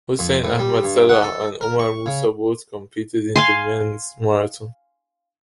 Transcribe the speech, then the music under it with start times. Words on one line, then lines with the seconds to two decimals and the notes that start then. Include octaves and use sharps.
Hussein Ahmed Salah and Omar Moussa both competed in the men's marathon.
0.19 F2
0.44 A2
0.59 G3
0.83 G2
1.09 F#5
1.23 A4
1.61 A#4
1.80 C#6
2.06 C#3
3.36 F5 G#5 C6